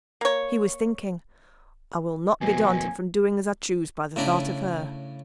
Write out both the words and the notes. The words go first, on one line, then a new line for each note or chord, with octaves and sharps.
He was thinking, 'I will not be daunted from doing as I choose by the thought of her.
A#3 C#5
F2 B2 A#3 G#5
A2 C#3 D4 A#5 B5